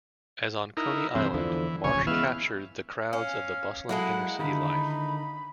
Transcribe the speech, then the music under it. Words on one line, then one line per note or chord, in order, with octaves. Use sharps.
As on Coney Island, Marsh captured the crowds of the bustling inner city life.
D#4 E4 A#4
G2 C3 E3 C4
E2 D3 E3 F3
D1 A#1 C#3 C#5 G#5
E3 G#3 B3 E5 F5
C#4 F5
F#3 G#3 A#3 E4 A4 F#5
D3 D#3 D#4 B5